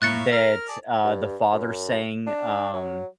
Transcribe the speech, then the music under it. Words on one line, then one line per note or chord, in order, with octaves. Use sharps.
that, uh, the father sang, um,
A2 A#3 C#5 E5 F5 F#6 A6 C#7
A#4 F6
G#4 D5 A5
G2
F#2
D4
F#3